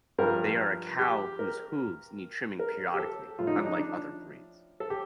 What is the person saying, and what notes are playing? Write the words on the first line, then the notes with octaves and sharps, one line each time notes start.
They are a cow whose hooves need trimming periodically, unlike other breeds.
G2 F3 A#4
G4
A#4
A#4
G4
A4
A2 F3 F4
D#4
D4
D#4
D4
A4
G4